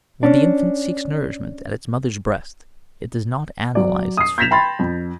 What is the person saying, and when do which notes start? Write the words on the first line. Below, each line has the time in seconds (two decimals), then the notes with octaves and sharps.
When the infant seeks nourishment at its mother's breast it does not analyze its food.
0.23 C#4 D4
3.75 F#3 D5
4.17 D#6 C7
4.38 G6 G#6 A#6 B6 E7 F7
4.51 G5 B5 C6 A6
4.79 F2